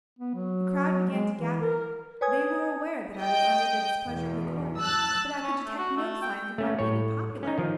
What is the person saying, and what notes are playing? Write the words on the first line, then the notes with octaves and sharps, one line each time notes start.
The crowd began to gather; they were aware that I was under the displeasure of the court, but I could detect no signs of my being unpopular.
B3
F#3
G#3
E3
A#4
B4 C#5 G#5 D#6 G#6
D#5 G5 G6
E2 B2
A5 E6 F#6 A6
C#4
A3
F#4
A3
G5
A3 C#4
A2 C#5
C#4 D#4
D#3 F3